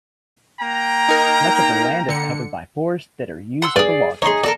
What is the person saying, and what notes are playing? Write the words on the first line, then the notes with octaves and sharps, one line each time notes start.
Much of the land is covered by forests that are used for logging.
A#3 G5 A#5
D#4 A#4
D3 C#7
F#5 C6 E6
G2 G#4 D5
D#4 E4 G#4 C#5 C6
F#4 A4 A#4 D5